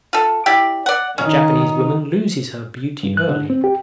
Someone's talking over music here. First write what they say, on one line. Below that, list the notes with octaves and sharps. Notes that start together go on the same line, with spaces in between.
A Japanese woman loses her beauty early.
F4 A4
E4 G4 D5
D5 F#5
D#3 C#4 D#4
G2
F#6
D3
C4
G4